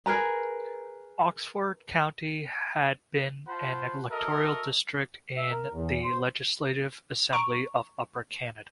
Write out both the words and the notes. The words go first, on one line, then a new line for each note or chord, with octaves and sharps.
Oxford County had been an electoral district in the Legislative Assembly of Upper Canada.
G#4 A#4 B4 A#5
F4 C5 F#5 A5 B5
F#4 A4 A#4 D#5 E5
E5
A#4
E2
C5
A#5 C#6 D7